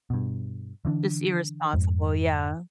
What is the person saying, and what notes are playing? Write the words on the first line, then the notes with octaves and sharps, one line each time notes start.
Just irresponsible, yeah.
G2 B2
D3 E3 C4 D4
F2 G#2